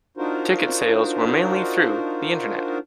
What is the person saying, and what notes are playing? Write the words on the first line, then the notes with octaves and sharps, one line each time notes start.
Ticket sales were mainly through the Internet.
D4 D#4 F4 F#4 A#4 C5